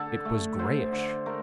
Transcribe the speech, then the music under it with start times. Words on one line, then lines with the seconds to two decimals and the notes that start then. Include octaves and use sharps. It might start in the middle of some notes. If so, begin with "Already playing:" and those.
It was grayish.
Already playing: D3 A4
0.25 A3
0.59 D3 C5
0.93 D3
1.26 A3 A#4